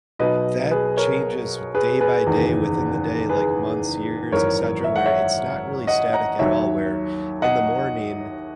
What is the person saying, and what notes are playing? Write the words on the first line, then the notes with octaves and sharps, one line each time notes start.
that changes day by day, within the day, like, months, years, etcetera, where it's not really static at all, where in the morning,
B1 B2 F#3 B4 D#5
G#4 B4
A#4 C#5
G#4 B4
G#4 B4
F#1 E2 D#3
G#4 B4
G#1 F#2 E3 A#4 C#5
E5
F#5
C#5 E5
D#5 F#5
F#5 A#5
D#2 D#3 F#3 C#5 E5
D#5 F#5